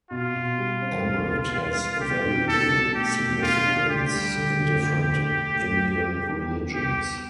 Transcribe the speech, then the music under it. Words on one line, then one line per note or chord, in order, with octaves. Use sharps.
Amrit has varying significance in different Indian religions.
B2 F4
B2
G3
C4
C2
B2
G3
G3
B2 G4
B2
D4 A4
B2
A3 G4
B2
D4 F4
D4
D2 G4
G3
D3
D2
D3
D2
D2
D2
G3
G3
E2
B3
E2 G4
B3